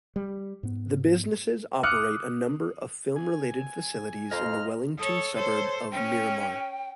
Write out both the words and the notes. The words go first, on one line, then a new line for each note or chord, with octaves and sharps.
The businesses operate a number of film-related facilities in the Wellington suburb of Miramar.
G3
G#2 B3
D6 D#6 F6 F#6 C#7
G#5
F2 D#5 A#5 C6 F6
A4 C#5 D#6
A4 C5 C#5
C#4 G5